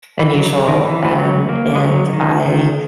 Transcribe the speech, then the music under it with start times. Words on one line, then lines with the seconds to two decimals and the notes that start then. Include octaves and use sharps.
unusual. And and I
0.19 E3
0.35 F#3
0.68 D#3
0.83 E3
1.05 E3
1.16 F#3
1.49 A#3
1.76 G#3
1.80 F#3
2.13 D#3
2.46 D#3